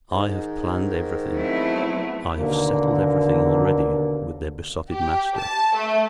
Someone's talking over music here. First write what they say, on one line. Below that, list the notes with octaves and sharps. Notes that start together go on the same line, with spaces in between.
I have planned everything,--I have settled everything already with their besotted master.
G#2 D#3
C3 F#3 A3 B3 E4
D#2 B2 D3 A#3
G4
A5
A3